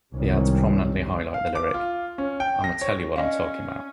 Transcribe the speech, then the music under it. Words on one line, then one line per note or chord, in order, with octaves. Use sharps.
The ads prominently highlight the lyric, I'ma tell you what I'm talkin' 'bout.
C2 G#2 C3 D#3 G3 C#4
F5
D6
F4
C#4
G5
A#6
C#5
C#4 D5 D#5 F5